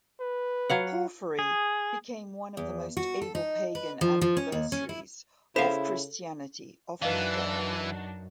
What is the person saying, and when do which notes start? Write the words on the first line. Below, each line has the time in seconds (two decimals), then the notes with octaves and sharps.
Porphyry became one of the most able pagan adversaries of Christianity of his day.
0.20 B4
0.70 F#3 F5 F#5
1.39 G#4
2.57 E2
2.97 F#4
3.22 A4
3.35 D#4
3.75 B4
4.01 F3
4.21 F3
4.37 C#4
4.52 D#2
4.72 C#4
4.89 E4
5.56 C#3 E4 A4 C5 F5 B6 E7
7.02 F#2 E3 D4 D#4 F#4 B4 D#5 F5